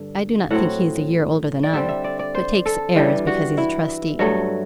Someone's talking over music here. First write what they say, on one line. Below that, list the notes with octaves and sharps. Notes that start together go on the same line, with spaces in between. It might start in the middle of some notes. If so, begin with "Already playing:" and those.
I do not think he is a year older than I, but takes airs because he's a trustee.
Already playing: G2 D3
A2 F#3 C4 F#5
D5
D3 G3 C4 E5
E5
D5
D5
C5
A4
G2 E3 G3 G4
F#4
E4
G2 F#3 A3